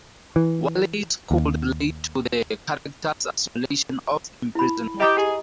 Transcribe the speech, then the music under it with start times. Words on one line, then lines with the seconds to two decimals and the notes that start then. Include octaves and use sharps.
Wallace could relate to the character's isolation of imprisonment.
0.36 E3
1.31 D#2
4.55 E4 B5
5.00 G4 D#5 A#5 D#6
5.17 G4 G#4